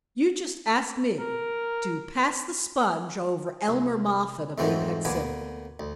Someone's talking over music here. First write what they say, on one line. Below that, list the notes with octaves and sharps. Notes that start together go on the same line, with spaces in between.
You just ask me to pass the sponge over Elmer Moffatt of Apex City?
A#4
C2
F2 G#2 E3 F#3 A3 C4
D2 A#3 B3 G#5
D2